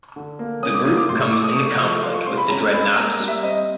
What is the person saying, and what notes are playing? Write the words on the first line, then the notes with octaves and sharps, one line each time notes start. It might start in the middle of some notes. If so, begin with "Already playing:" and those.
The group comes into conflict with the Dreadnoks.
D3
A#3
C#4 D#6
D6
A#3 D#6
D6
A2 C6
C#6
A3 D6
D#6
A3 C#6
F3 C#6
F4 C6
C#6
C4 C6
B5
C#4 A#5
G#3 B5
A#3 A#5
A#5
G3
E5
C4 D#5